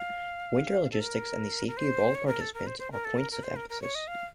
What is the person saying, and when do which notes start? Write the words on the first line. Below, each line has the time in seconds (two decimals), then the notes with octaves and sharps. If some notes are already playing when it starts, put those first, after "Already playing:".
Winter logistics and the safety of all participants are points of emphasis.
Already playing: F5
0.92 A4
1.00 A#4
1.67 A#4
1.77 C5
2.15 C#5
2.28 A#4
2.41 A4
2.54 A#4
2.67 C5
2.79 C5
2.92 A#4
3.05 A4
3.18 A#4
3.32 A#4
3.43 C5
3.56 A#4
3.69 A#4
3.82 C#5
3.95 D#5
4.08 F5